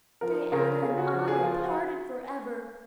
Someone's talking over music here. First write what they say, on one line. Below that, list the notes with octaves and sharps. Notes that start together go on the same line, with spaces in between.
Diana and I are parted forever.
F3 A#4
C#3 A#4
C#3 G#4
F4
F#4
F3 F#4
G#4
F3 F4
F#4